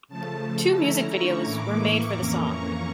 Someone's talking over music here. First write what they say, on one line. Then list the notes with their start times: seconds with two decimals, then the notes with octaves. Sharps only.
Two music videos were made for the song.
0.08 C#3 F3 A3 A5
0.76 D3 A3 C#4 E4 A#5
1.10 C#6
1.44 A2 E3 A#3 E4 D6
1.78 C#6
2.12 F2 E3 A#3 C#4 A#5
2.46 C#6